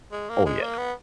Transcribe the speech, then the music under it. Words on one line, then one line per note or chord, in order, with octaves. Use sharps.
Oh, yeah.
G#3
A#3
G#3
A#3
B3